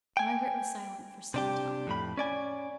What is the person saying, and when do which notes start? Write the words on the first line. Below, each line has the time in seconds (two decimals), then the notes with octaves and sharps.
Margaret was silent for some time.
0.17 G5 G#5
1.34 C3 D4 G4
1.87 F2 A2 B5
2.17 C#4 D5 G#5